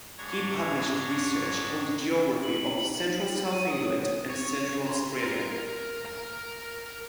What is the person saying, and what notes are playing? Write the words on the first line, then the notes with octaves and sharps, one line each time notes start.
He published research on the geography of Central South England and Central Australia.
G#2 D4 C#5 A#5 G#6
D#4 F#7
D#7
C#5 D#6
C#5
A#5 C6
A#4
A#4 A#5